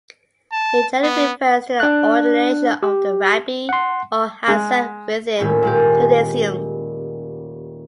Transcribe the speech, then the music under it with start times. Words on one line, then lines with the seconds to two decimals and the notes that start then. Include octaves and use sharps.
It generally refers to the ordination of a rabbi or hazzan within Judaism.
0.52 A5
1.03 B3
1.80 D4 F#6
2.83 G4
3.69 F#5 C6
4.48 G#3
5.37 D#1 A2 C#4 B5
5.63 A#2 G#3 G4